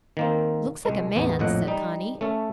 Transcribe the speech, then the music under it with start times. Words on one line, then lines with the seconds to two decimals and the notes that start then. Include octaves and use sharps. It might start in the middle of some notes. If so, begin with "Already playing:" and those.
"Looks like a man's," said Conny.
0.17 D#3 A#3 C4
0.85 C2 G#3
1.15 A1 E2 B3
1.39 A#1 F2 A2 D#5 F#5
1.67 G3 D#4
2.21 A3 C#4 A4